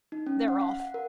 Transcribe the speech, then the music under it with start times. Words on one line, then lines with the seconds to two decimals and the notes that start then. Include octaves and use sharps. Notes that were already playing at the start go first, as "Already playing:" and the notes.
They're off.
0.12 D#4
0.26 C#4
0.48 F#5
0.61 F5
0.80 F#5
0.94 A#4